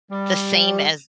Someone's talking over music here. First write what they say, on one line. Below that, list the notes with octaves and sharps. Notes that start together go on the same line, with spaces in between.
the same as
G3